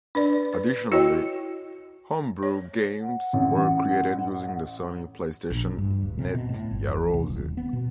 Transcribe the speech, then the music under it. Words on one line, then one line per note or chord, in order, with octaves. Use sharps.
Additionally, homebrew games were created using the Sony PlayStation Net Yaroze.
D4 B4 D5
B4
E4 F#4 C#5 D#5 G5
C#5
F#5
A1
A#1
G2
D1
C3
B2
A2
G1
E2
C2
D#1
B3
B2